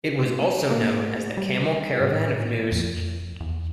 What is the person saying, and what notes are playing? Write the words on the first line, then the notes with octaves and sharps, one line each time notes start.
It was also known as the Camel Caravan of News.
C4
A#3
A3
A#3
A3
G3
G2
A2
F2
E2